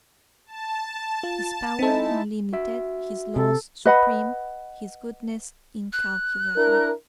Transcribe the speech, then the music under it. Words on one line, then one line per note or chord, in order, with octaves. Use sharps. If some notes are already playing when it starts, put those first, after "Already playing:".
His power unlimited; His laws supreme; His goodness incalculable.
A5
F4
G#3 C4 D#4 E4 A4
F#4 E5
C3 A4
B4 D#5 F#5 B5
F#6
D4 E4 A#4